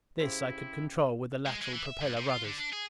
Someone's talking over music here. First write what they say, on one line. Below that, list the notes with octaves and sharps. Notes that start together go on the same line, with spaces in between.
This I could control with the lateral propeller rudders.
C#3 E4 G4 C5
G#3
G#3
E3
E5
G2
C3
F4
D3
D4
G#4